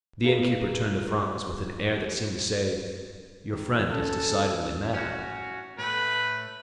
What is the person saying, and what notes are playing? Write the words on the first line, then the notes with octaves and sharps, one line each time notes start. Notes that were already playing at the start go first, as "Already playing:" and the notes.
The inn-keeper turned to Franz with an air that seemed to say, "Your friend is decidedly mad."
F4 G#4 A#4 B4
D#3
C#4 A4
C#4 F#4
A2 A3 B4